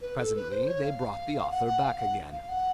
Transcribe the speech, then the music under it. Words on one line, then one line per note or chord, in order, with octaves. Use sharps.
Presently they brought the author back again.
B4
A4
B4
C5
C#5
F5
F#5
F#5
F5
F#5
F5
F#5